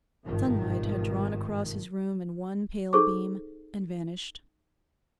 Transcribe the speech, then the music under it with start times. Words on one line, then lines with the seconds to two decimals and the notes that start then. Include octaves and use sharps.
Sunlight had drawn across his room in one pale beam, and vanished.
0.25 G#1 G2 B2 D#3 F3
2.93 D#4 G#4 A4 C5 C#6 D6